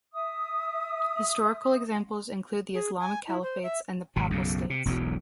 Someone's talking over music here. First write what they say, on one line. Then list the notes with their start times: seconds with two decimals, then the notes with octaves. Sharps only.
Historical examples include the Islamic Caliphates and the Papal States.
0.14 E5 D#6
2.74 G#4
3.00 G#5
3.28 E4
3.43 C5
3.63 E5
4.16 G#1 B2
4.30 B1 F#2 C#3
4.70 C3
4.85 E1 B1 E2 F#3